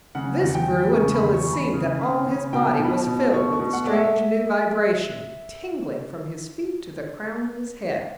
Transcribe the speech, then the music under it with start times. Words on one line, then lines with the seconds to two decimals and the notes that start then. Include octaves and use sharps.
This grew until it seemed that all his body was filled with the strange new vibration, tingling from his feet to the crown of his head.
0.15 C#3 F#5
0.42 E2
0.55 G5
0.68 E2
0.94 C#3 C#6
1.14 B5
1.21 E2
1.34 C#6
1.47 E2
1.53 B5
1.73 C#3
2.00 C#3
2.26 C#3
2.53 B2 G5
2.79 B2 B5
2.93 A5
3.07 B2
3.33 B2 C#6
3.53 C#6
3.60 B2
3.73 F#5
3.85 A3 D5
3.93 E5